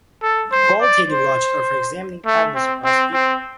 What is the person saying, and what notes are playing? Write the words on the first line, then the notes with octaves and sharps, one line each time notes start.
Qualitative logic are for examining patterns across people.
A4
C5
D5
C5
A3
C4
C4
C4